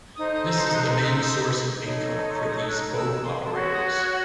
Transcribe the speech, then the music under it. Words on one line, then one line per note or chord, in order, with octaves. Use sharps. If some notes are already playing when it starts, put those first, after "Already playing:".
This is the main source of income for these boat operators.
D#4 A4 C5 D#6
D#6
E6
F#6
E6
D#4 A4 C#5
C6
C#6
D#6
E6
F#6
E6
C6
A5
F#4 C#5 C6
D#6
F#6